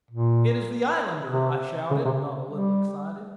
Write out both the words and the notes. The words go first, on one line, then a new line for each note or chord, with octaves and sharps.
"It is the Islander!" I shouted, not a little excited.
A#2
C3
C#3
C3
G3